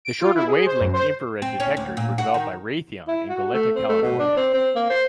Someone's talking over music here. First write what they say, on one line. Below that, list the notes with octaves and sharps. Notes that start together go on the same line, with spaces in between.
The shorter-wavelength infrared detectors were developed by Raytheon in Goleta, California.
D7
F4
E4
G#4
C5
F#2
C5
C4
C#4
D2
A#2
F#4
D#3
E4
F#4
A3
C4
A3
B2
D4
C4
C4
A#3
C5